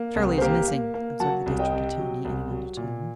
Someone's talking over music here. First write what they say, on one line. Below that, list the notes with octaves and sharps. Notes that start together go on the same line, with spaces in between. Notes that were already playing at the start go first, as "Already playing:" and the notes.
"Shirley is missing," observed the district attorney, in an undertone.
Already playing: A#3
C2
C5
A#3 G4 A#4
A#3
A#3
F#3 F#5 A5
C2
D#5 G5
C3
F#3
C2
F#3
A#2